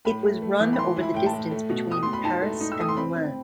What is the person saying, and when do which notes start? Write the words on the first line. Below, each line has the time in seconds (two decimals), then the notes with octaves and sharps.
It was run over the distance between Paris and Rouen.
0.05 A2 B5
0.23 A3
0.42 A3
0.60 E3
0.73 B5
0.78 E3 C6
0.97 E4
1.03 B5
1.14 A2 G5
1.26 A5
1.33 A2
1.51 A3
1.69 B2
1.87 B2 D#6
2.03 B2 C6
2.13 B5
2.24 D#4 A5
2.42 A3
2.61 D#4
2.72 E6
2.79 A3 D#6
2.89 C6
2.97 C4 B5
3.16 C4